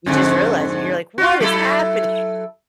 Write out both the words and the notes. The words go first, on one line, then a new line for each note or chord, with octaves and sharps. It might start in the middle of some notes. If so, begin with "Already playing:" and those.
You just realize it, you're like, "What is happening?!"
F2 G#2 D3
F4 F#4
F#3 E4 A4